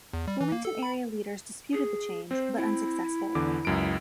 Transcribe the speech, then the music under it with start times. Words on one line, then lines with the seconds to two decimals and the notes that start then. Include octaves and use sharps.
Wilmington area leaders disputed the change, but unsuccessfully.
0.13 E2
0.27 G3
0.41 E3
0.52 A#3
0.65 A4
0.83 B5
1.73 G#4
2.31 C4 C5
2.56 E4
3.35 E2 D3 D6
3.65 C#2 F#2 D7